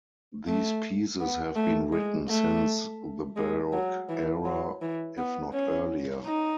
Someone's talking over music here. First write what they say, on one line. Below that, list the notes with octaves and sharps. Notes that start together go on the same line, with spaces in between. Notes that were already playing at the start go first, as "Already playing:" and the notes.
These pieces have been written since the Baroque era if not earlier.
A3
B3
A3
G#3
A3
G#3
F#3
E3
F#3
E3
B3
C#4
D#4